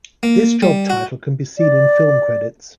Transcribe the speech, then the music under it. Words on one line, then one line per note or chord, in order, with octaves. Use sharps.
This job title can be seen in film credits.
A#3
G3
F#4
D5